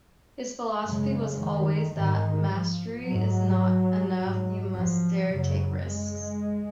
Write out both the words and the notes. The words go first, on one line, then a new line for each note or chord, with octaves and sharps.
His philosophy was always that "mastery is not enough; you must dare, take risks".
F#2 C#3 G#3
D#3
G#2 D#3
F3
G#2 F#3
G#2
F3
F#2 C#3 F#3
G#3